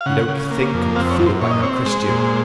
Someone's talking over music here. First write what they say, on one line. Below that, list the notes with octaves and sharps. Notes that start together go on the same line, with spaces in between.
He don't think and feel like a Christian.
F5
C#3 F#5
C#3
A#3
F2
C4 F5
C#5
F#2
C5
A#2 C#5
D#5
C4 C#5
G#3 C5
A#2